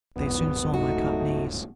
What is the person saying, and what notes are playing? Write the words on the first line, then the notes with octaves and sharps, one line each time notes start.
They soon saw my cut knees.
D1 G1 B3
A3 D#4 F#4